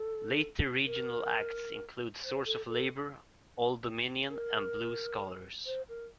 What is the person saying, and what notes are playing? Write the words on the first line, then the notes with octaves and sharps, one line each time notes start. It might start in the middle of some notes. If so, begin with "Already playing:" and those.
Later regional acts include Source of Labor, Oldominion and Blue Scholars.
Already playing: A4
A#4
C5
A4
A4
A#4
C5
A#4